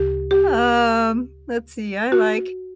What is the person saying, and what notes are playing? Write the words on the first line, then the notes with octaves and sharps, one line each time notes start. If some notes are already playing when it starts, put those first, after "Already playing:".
Um, let's see, I like
Already playing: D2 C#3 G4
G4
F#4